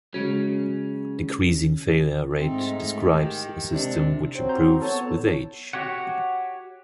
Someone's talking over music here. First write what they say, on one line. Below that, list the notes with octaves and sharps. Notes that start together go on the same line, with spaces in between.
Decreasing failure rate describes a system which improves with age.
C#3 F#3 G#3 C#4
G#2 A3 C4 D#4
G#3
D#3 G4
C3 G#3 D4
F#3 C4 C5
A#5 C6 G6
F#3 B3 A4 C#5 A5
F#4 G4 C#5 F#5